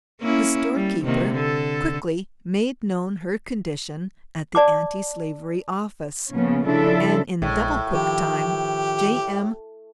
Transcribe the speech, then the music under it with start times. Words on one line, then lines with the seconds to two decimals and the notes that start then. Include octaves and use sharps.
The store-keeper quickly made known her condition at the Anti-slavery Office, and in double-quick time J.M.
0.21 A#3 C#4 E4
0.76 G3
1.05 C3 D#3 A#3
1.34 D3 A4
4.55 D5 A5 D6
6.31 C#3 F3 A#3 B3 C#4
6.64 C#3 F3 D4 E4 A4 E5
7.42 A#1 A2 G#3
7.93 D#3 F3 G4